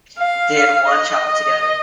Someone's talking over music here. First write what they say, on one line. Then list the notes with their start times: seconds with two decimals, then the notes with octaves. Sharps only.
They had one child together.
0.18 F5
0.89 D#5